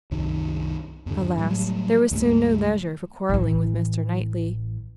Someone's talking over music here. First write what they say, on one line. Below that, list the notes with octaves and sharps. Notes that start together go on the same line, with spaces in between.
Alas! there was soon no leisure for quarrelling with Mr. Knightley.
C2 F#2 D#3
E2 G2 D3
A2 F#3 G3
C#2 G2 G3 A3
A1 E3